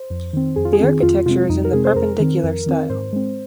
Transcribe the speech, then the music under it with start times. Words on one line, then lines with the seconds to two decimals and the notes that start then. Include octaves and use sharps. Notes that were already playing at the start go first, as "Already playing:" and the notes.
The architecture is in the perpendicular style.
Already playing: C5
0.10 F2
0.33 D#3 C4
0.56 F2 G#4
0.65 F4
0.73 G#4
0.80 D#3 C4
1.02 F2 F4
1.26 C3 G#3 C4 F4
1.49 F2 D#4
1.65 A#4
1.73 C3 G#3 C4 G#4
1.85 C5
1.96 F2 A#4
2.19 D#3 C4
2.43 F2
2.66 D#3 C4
2.90 G#2 C5
3.13 G#3 C4